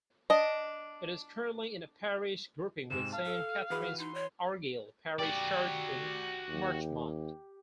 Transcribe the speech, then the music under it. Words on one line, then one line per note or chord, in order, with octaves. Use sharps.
It is currently in a Parish Grouping with Saint Catherine's-Argyle Parish Church in Marchmont.
D4 D#5
G#2 C3 E7
F5 A5
A4
E3 F#4 G#4 B4
D#4 C6
C#5
F#4 G4 D5
D#2